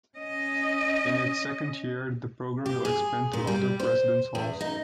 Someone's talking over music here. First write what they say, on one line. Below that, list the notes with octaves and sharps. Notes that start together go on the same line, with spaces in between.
In its second year, the program will expand to other residence halls.
C#4 D#5
G4
G#4
A#2
G3
C5
E2
D#4